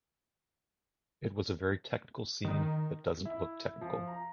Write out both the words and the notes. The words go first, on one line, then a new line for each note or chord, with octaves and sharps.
It was a very technical scene that doesn't look technical.
D#3
E4
F3
A#5